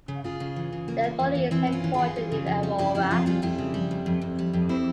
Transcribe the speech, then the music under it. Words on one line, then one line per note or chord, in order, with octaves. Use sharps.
The authority is headquartered in Aurora.
C#3
C#3 F4 G#4
C#3
E3
C#3
A#3
A#3
E2
E3
E3 C4 E4
E3
C#4 F4
E3
E3 F4 G#4
G3
C#3
F2
G3
C#3 E4 G4
F2 E4 G4
F2 F4 G#4
G3 F4 G#4
F2 E4 G4
C#3
G3
F2
F2
F2
G3
F2
C4 E4